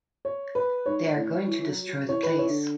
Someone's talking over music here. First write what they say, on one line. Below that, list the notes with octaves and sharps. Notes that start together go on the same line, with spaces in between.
They are going to destroy the place.
C#5
B4
G#2 C#5
A2
F#3
E3
E3
F#3
F#3
E3 C#5
B4
E3
E3 C#5
D3